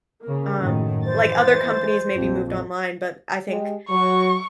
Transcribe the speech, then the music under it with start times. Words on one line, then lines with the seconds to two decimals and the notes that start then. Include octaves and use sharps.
Um, like, other companies maybe moved online, but I think
0.23 C#3 A#3
0.59 F#2 A2 D#3
1.05 E3 C5 A6
2.13 A#1 F2
3.49 G#3 G4
3.89 F#3 C#6